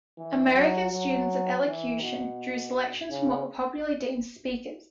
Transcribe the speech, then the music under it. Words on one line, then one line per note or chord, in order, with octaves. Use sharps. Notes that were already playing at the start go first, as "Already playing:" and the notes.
American students of elocution drew selections from what were popularly deemed Speakers.
E3
F#3
F#3
E3
B2
C#3